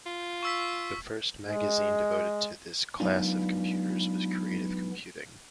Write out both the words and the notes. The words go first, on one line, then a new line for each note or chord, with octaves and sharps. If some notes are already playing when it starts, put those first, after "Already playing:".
The first magazine devoted to this class of computers was Creative Computing.
F4
C#6 E6 B6
G#3
F#3 G#3 B3 D4 D#4 F4